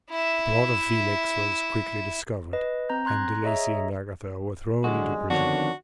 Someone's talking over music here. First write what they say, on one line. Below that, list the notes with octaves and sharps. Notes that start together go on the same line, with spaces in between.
The plot of Felix was quickly discovered, and De Lacey and Agatha were thrown into prison.
E4 E5
B4 D#5
C4 A#5 G6
A#5 C6 F#6 G#6 A#6
G#4 C#5 D#5 E5 A#5
F#1 D3 F3 G3 G#3 F#4
F2 D3 D#3 B3 D4 F#4 C#5